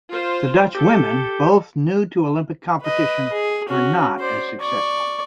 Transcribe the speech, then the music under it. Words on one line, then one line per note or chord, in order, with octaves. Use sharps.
The Dutch women, both new to Olympic competition, were not as successful.
F4 C5
G4 A4
B4 D#5
G#4
C#4 F#4
C5 D5
D5 C#6